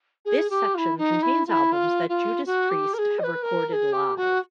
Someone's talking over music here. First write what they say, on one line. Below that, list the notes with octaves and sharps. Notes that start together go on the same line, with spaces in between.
This section contains albums that Judas Priest have recorded live.
G#4
G4
F4
E4
D#4
E4
F4
E4
F4
F4
F#4
G4
A#4
G#4
D#5
B4
A#4
A#4
G#4
G4
F#4